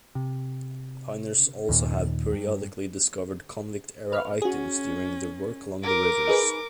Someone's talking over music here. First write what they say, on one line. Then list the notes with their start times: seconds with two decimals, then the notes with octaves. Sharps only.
Piners also have periodically discovered convict era items during their work along the rivers.
0.15 C3
1.69 D#2 A#2
2.32 G2
4.12 B4 F6
4.42 C#4 F#4 G#4
5.84 A#4 D6
6.27 D#4 G#4 B4